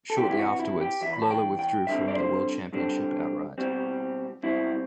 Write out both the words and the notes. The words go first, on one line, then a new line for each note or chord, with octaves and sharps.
Shortly afterwards, Lola withdrew from the World Championship outright.
A4
E2 C3 E3 G4
E4
F#4
E4
G4
E2 C3 E3 E5
B5
A5
G5
G5
G2 D3 G3 C4 E5
D5
C5
G2 D3 G3 C4
B2 G3 C4
B2 G3 C4 E4